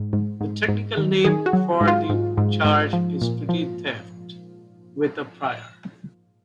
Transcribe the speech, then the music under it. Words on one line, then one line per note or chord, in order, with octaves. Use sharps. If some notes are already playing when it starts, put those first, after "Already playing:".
The technical name for the charge is petty theft with a prior.
Already playing: G#2
G#2
G#2
G#2
D#3
D#3 G#4
F#4
F#3
G#2
F4
G#2
G#2
G#2
F3
A#2
F3